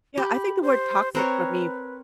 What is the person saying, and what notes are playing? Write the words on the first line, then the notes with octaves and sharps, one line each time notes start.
Yeah, I think the word toxic for me
G4 B5
C5
C4 A#4 B4 C#5